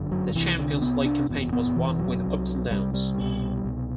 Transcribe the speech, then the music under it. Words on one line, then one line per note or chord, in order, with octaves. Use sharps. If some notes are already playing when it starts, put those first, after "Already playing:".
The Champions League campaign was one with ups and downs.
Already playing: G1 F#2 D3
F#3
C2 C3 E3
D3
C2 C3 B3
D4
F#1 E2 B2
B3
F#1 E2 B2 E3
F#3
C2 C3
C2 C3 G3
G3
C2 B2
C2 B2